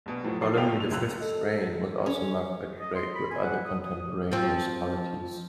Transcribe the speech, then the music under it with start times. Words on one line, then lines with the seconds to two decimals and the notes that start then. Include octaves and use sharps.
Ptolemy the Fifth's reign was also marked by trade with other contemporaneous polities.
0.06 A#1 B2
0.23 F2 A2 F3 F#3
0.41 G#2 A4 A#4 D5 C7
0.57 F#1 F3 D#5 F5 G5 F7
0.76 E6 F7
0.91 C#2 F#2 F4 E6 F#6 F7
1.21 A4 D#5
2.06 C#4
2.80 D#5
2.95 C6
3.15 B5
3.31 G#5
3.43 F#5
3.66 D#6
3.85 D#6
4.32 F3 C4